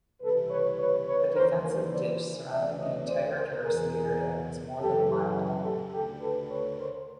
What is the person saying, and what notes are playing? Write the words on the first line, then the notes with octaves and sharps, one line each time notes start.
The defensive ditch surrounding the entire garrison area was more than a mile long.
C2 C3 E3 A4 B4
B4 C#5
B4 C#5
B4 C#5
D#2 C#3 E3 A#4 C5
A#4 C5
C5 D5
D2 C#3 E3 D5 E5
C#5 D#5
C5 D5
A#4 C5
E2 B2 G#4 A#4
G#4 A#4
F#2 C#3 E3 G4 A4
G4 A4
D2 D3 G4 A4
A4 B4
B4 C#5
A#4 C5